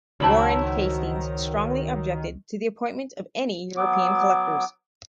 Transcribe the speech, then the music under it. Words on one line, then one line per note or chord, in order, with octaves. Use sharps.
Warren Hastings strongly objected to the appointment of any European collectors.
C#2 D#3 F#3 E4 C5 A5 B5 E6
F#3 B3 D6